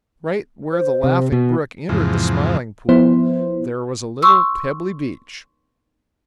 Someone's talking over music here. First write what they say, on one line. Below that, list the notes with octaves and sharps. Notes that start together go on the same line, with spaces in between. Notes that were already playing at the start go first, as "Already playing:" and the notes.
Right where the Laughing Brook entered the Smiling Pool there was a little pebbly beach.
C5
C3
B2
E2 G#2 C3 F3
F3 B3 E4 C5
C6 C#6 E6